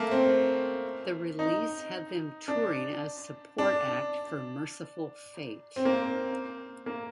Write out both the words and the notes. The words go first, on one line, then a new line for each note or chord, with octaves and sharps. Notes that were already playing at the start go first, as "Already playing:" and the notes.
The release had them touring as support act for Mercyful Fate.
Already playing: A3 A#3
C4
D#4
D4
D4
C4
A#3
C4
A#3